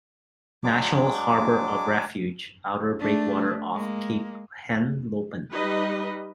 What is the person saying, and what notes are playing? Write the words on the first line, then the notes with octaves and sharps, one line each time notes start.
National Harbor of Refuge, outer breakwater off Cape Henlopen.
F#3 G#3 D4 D6
A3 D4
G#3 A#3
G3 D#4 B4 D#5